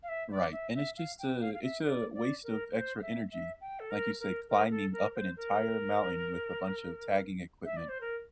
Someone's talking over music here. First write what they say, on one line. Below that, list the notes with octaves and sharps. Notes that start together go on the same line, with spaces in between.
Right, and it's just a it's a waste of extra energy, like you said, climbing up an entire mountain with a bunch of tagging equipment,
F5
E5
D5
E5
E5
F5
G5
F5
F5
E5
D5
D5
A#4
C5
E5
E5
G5
A4
A#4
A#4
A#4
A4
A#4
C5
A#4
E5
D5
C5
A#4